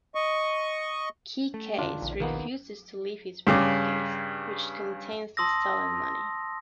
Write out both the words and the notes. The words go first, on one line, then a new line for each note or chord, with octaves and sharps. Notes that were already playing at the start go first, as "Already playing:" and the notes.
Keycase refuses to leave his briefcase, which contains the stolen money.
D#5 C#6
A3
E1 D3 D#3 D4 F4
A#1
D#2 B2 D#3 F3 A#3 B3
G2 C#3 D6
A5 C6 D#6 E6 A#6